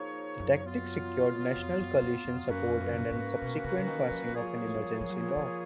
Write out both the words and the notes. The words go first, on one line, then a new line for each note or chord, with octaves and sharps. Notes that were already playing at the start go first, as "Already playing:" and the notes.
The tactic secured National Coalition support and the subsequent passing of an emergency law.
Already playing: F3 A#3 D#4 G#4 C#5
F#2
F#3 B3 F4
F2
F#2
F2
F2
F#2 A#3 C#4 F#4 B4
F2
F#2
C#3
B2
A#2
G#2
B2
C#3
C#3
D#3
F3
F#3
F3
F#3 A#3 F4 G#4 C#5
F3
F#3
F3
F#3
F3
F#3
F3
F#3
F3
F#3
F3